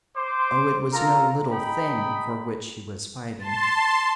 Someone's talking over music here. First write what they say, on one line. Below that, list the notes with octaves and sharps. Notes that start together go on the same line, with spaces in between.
Oh, it was no little thing for which she was fighting!
C5 C6 D6
F4 A4 A#4 A#5
D#4 G#4 G5 A#5 B5 D#6
A5 C6